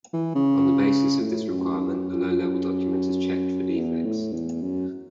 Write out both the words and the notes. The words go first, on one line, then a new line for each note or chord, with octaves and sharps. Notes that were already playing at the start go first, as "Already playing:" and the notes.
On the basis of this requirement the low-level document is checked for defects.
E3
C#3
A2
F#2
F#2
E2
A2
E2
F#2